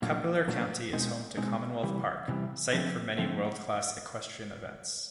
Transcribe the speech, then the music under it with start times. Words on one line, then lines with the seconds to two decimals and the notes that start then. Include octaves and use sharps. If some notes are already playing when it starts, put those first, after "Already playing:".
Culpeper County is home to Commonwealth Park, site for many world-class equestrian events.
0.02 A#2 F#3 A3 D4 F4
0.48 A#2 F#3 A3 D4 F4
0.93 B2 G#3 C4 D#4
1.37 B2 G#3 C4 D#4
1.83 C3 E3 G3
2.28 C3 E3 G3
2.73 D3 F3 A3 C4
3.18 D3 F3 A3 C4